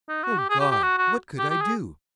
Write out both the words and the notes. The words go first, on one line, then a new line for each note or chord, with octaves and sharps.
Oh God! what could I do?
D#4
F#4
G4
G#4
G4
G4
F#4
F#4
G4
G4
G#4